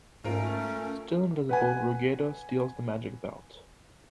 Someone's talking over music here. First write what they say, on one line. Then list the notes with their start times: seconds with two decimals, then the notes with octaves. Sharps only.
Still invisible, Ruggedo steals the magic belt.
0.24 G#2 A3 C#4 F4 A#4
1.49 B4 F#5 G#5